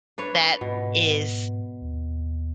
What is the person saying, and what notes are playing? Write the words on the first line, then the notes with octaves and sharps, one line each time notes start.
that is
D4 B4 C#5
G#2 B2
D#2